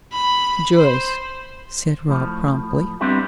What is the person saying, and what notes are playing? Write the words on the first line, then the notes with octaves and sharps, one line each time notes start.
"Joyce," said Rob, promptly.
B5
C5
A2 F3
G3 B3 C4 D4 E4 G4